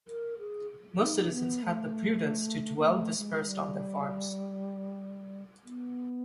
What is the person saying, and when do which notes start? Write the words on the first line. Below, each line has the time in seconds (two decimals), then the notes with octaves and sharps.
Most citizens had the prudence to dwell dispersed on their farms.
0.07 A#4
0.39 G#4
1.00 D#4
1.32 B3
1.63 A3
2.78 A#3
2.86 A3
3.18 G#3
3.48 G3
5.64 B3